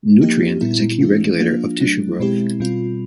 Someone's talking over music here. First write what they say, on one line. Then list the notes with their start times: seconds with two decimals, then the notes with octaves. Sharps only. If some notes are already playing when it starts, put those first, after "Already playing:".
Nutrient is a key regulator of tissue growth.
0.21 F3 A#3 D#4 G4
0.61 A#2 G3 B3 E4
1.01 E3 A3 C#4 F4
1.40 F3 A#3 D4 F4
1.80 F#3 A3 D4
2.20 B2 G#3 C4 E4 G4
2.60 B2 G3 C4 F4